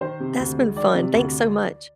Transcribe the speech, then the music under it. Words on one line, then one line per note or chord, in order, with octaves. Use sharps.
that's been fun, thanks so much.
D#3 C5
C3
D2
G#3
D#3 D5
C3
D2